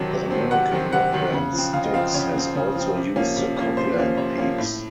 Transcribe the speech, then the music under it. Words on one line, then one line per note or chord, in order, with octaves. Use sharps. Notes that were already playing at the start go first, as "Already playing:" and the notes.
The American rock band Styx has also used the Copland piece.
Already playing: C3 D#3 F#3 C4 A5
C3
D#3 F#3 C4
C3 F#5
D#3 F#3 C4
C3 F#5
D#3 F#3 C4
C#3
F3 C4
C#3 F5
D#5
F3 C4 F5
C#3 C#5
F3 C4
C#3
F3 C4
C3
F3 A#3 C#4
C3
F3 A#3 C#4
C3 C5
F3 A#3 C#4
C3 C#5
F3 A#3 C#4
A2